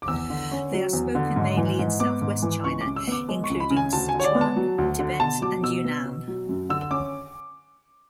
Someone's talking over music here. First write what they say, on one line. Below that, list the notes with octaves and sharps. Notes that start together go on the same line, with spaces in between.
They are spoken mainly in Southwest China, including Sichuan, Tibet and Yunnan.
D6
E2 E6
D3
C#4
F#3
E2
D3
G#2
E3
G#2
B3 D6
G#2
E3
C#2 C#6
C#3 D6
E6
B3 D6
G#3
C#6
C#2
B5
C#3
G#5
D2 A5
G#5
D3
C#5
D5
B3
A5
F#3
D2
D3
B2 A5
F#3 D6
B2 E6
B3
B2
F#3
F#2
D3 E6
C#4 D6